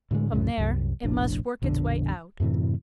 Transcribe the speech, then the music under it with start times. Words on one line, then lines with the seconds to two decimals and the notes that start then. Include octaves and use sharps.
From there it must work its way out.
0.11 A2 D3 D#3 G#3
0.32 C2 F#2 A2 C#3
0.58 C2 F#2
1.03 F1 A#1 A2 D4
1.62 A#1 F2 B2 D3
2.40 F#2 A2 C3 E3